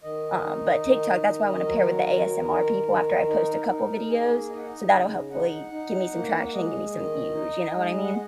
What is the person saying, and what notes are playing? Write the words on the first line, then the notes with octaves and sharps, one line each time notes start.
um, but TikTok that's why I wanna pair with the ASMR people after I post a couple videos. So that'll hopefully give me some traction and give me some views, you know what I mean?
D#3 D#5
D#4
D#3
D#3
F#3 A#4
D#3
D#3
D#3
D#4
D#4
A#3 G#4
D#4 D#5
F#5
D#5
C#3
D#4 F#5
D#4
A#3
F#5
G#3 D#5
D#3
D#4
G#3
F#5